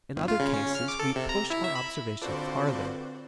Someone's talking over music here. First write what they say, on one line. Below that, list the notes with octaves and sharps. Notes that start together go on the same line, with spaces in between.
In other cases we push our observation farther.
G1
F4
C#3
C#4
F6
D6
A4
C3
A#5
E4
E5
B5
D3 C4 F4 F#4 A4 B4 C5 D5